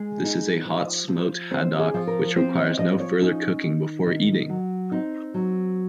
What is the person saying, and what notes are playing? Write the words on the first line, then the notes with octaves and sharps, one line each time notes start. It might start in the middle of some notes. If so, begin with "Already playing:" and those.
This is a hot-smoked haddock which requires no further cooking before eating.
Already playing: G#3 G#4
D#4
F3
F3
C4 C5
G#4
F3
A#4
C4 C5
D#5
F3 D#5
C#5
C#4 D#4
D#3
D#3
F#3
C4 D#4
F#3